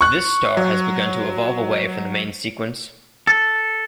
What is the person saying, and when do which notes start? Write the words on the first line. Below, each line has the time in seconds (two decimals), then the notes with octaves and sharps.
This star has begun to evolve away from the main sequence.
0.01 C#6 F#6
0.57 F#3
3.27 A4